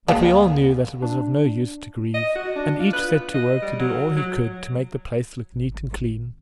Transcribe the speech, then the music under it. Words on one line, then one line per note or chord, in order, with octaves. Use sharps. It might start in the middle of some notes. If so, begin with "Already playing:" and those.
But we all knew that it was of no use to grieve, and each set to work to do all he could to make the place look neat and clean.
C#2 A#3 B3 G#4
D4
D#5
F#4
D4
F4
B4
F4
D#5
G3
F#3
F#3
G#1